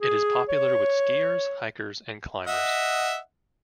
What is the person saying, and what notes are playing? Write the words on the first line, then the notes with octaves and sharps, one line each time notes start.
It is popular with skiers, hikers and climbers.
G#4
C#5
D#5 E5 F#5